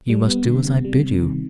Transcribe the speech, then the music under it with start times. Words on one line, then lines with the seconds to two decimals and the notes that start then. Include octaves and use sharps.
You must do as I bid you.
0.09 G3
0.27 B3
0.47 D3
0.65 C3
0.85 G3
1.03 C3
1.22 D#3